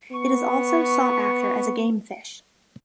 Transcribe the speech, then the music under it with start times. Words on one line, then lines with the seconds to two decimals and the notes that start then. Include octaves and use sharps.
It is also sought after as a game fish.
0.11 B3 C#6